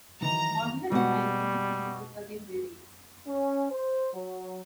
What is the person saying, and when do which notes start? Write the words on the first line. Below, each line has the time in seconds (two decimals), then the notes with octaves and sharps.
Modular design can be seen in certain buildings.
0.21 D#3 E3 F#3 A#5
0.92 B2 G3 G#3 F#4 F#5
3.28 C#4
3.71 C5
4.14 F#3